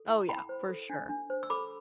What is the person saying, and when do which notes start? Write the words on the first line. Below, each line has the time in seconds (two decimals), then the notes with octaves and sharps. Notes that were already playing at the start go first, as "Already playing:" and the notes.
Oh, yeah, for sure.
Already playing: A4
0.09 E4
0.29 E4 G5 B5
0.49 C5
0.69 A4
0.90 D4
1.09 D4
1.30 C5
1.43 E6
1.50 A4 B5 D6